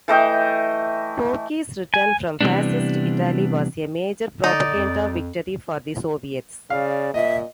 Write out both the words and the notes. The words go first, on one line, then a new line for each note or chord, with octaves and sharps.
Gorky's return from Fascist Italy was a major propaganda victory for the Soviets.
E3 A3 D#5 G5
G#5
C3 E3 G3 B3 D4
D3 D#4 D5
F2
C#3 D5 F5
A#2 D#5 E5